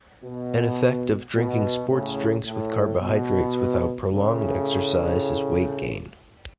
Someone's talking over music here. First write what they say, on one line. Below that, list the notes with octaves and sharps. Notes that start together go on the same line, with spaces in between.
An effect of drinking sports drinks with carbohydrates without prolonged exercise is weight gain.
B2
B2
A2 C#3
A2
B2
A2 C#3